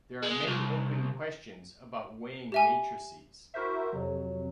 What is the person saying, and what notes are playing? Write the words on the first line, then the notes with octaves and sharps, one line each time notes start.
There are many open questions about weighing matrices.
G#3
C2
G4 E5 G#5
E4 F#4 A#4 C5 E5
F2 C3 F#3